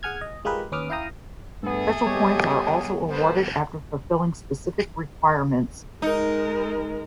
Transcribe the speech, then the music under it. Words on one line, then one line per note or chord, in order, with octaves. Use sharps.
Special points are also awarded after fulfilling specific requirements.
G#4 F#5 G#5 F6 G#6
D#5
G#3 F4 G4 G#4 A#4 B4
D#2 C#4 B4 D6 D#6 F6
E4 F5 G5 A#5 D#6
G2 A3 B3 G#4 A4
G3 B3 G4 C#5 D#5
B3 A4 B4 C5
G#3 D#4 A#4